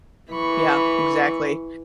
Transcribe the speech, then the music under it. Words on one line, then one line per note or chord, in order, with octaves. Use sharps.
Yeah, exactly.
E3 B5 C#6